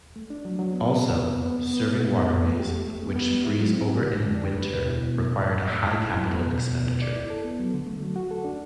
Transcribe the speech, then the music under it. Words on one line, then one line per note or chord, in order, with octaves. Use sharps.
Also, serving waterways which freeze over in winter required a high capital expenditure.
A3
D4
F#3
F#3
B3
C3
B3
C3
B3
B3
B3
B3
A2
B3
A2
B3
A3
G4
A3
A3
B3
B3
G3
E4
F#3
C4
G4
D3
D4
D4
G4
B4
B2
E4
B2
A3
A2
A2
A2
A2
E4
E4
F#3
B3
B2
B2
B2
B2
D5
E4
A4
B3
F#3
D3
A3
F#3
F#4
A4
D4